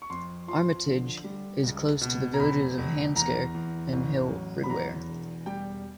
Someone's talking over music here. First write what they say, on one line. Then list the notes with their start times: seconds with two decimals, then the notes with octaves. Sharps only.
Armitage is close to the villages of Handsacre and Hill Ridware.
0.02 C#6
0.10 F2 C6
0.48 F3 C6
0.87 D3
1.24 G3
1.63 C#2
2.01 B2
2.34 A#5
2.40 F1 B5
2.78 F1
3.16 E2 A#5
3.54 E2
3.93 A1
4.31 F#3
4.63 B5
4.69 E2 A#5
5.08 E1
5.46 G3 G5